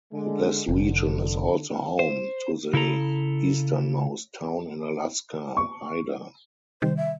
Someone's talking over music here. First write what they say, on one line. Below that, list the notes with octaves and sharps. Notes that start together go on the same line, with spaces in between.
This region is also home to the easternmost town in Alaska, Hyder.
D3 G#3
F1 D3
C5
C#3 E4 A4 A#5
C#6
C3 D#3 G3 C5
E5